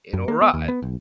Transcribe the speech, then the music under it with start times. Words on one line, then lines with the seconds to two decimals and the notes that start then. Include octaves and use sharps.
It'll rot
0.13 F#2
0.28 A#3
0.41 B3
0.54 D#2
0.68 B3
0.82 B1